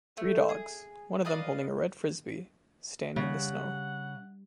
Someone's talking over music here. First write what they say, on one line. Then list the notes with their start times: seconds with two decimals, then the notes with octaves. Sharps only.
Three dogs, one of them holding a red Frisbee, stand in the snow.
0.17 A3
0.49 G#4
1.25 B4 D5 D#5 F5
3.16 C#3 G3 F#5